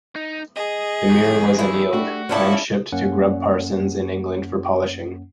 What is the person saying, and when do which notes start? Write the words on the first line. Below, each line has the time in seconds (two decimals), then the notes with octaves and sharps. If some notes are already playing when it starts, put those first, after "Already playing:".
The mirror was annealed, then shipped to Grubb-Parsons in England for polishing.
0.16 D#4
0.57 G#4 D#5
1.08 F2 D#3
1.59 E4
1.93 A3 D4 F#4 G4
2.29 F3 C#4 D4 E4 A4 C#5 D5 A5
2.92 F#2 A#3 C#4 F#5